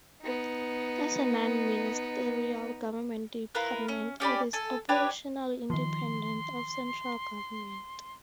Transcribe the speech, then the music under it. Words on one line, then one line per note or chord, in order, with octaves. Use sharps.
As a non-ministerial government department it is operationally independent of central government.
B3 D#4
E4 F4 A#4 B4
C#4
C#4 G4 D5 B5
A4 G#5
D4 G4 B4 C#5
D#3 F3 C6